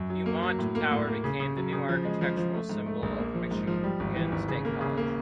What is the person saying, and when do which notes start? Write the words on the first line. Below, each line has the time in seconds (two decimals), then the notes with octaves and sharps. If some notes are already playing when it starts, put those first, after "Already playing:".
Beaumont Tower became the new architectural symbol of Michigan State College.
Already playing: F#2
0.10 F#3
0.26 A#3
0.43 F#3
0.59 A2
0.75 A#3
0.91 A2
1.07 A#3
1.24 C#3
1.40 C#3
1.57 F#3
1.73 C#3
1.89 F3
2.05 G#3
2.21 F3
2.37 F3
2.54 A3
2.70 G#2
2.86 A3
3.02 A#1
3.19 A#3
3.35 F3
3.51 G#2
3.67 F3
3.84 G3
4.00 G#1
4.16 E3
4.32 G#1
4.48 C#3
4.65 A#3
4.81 C#3
4.97 A#3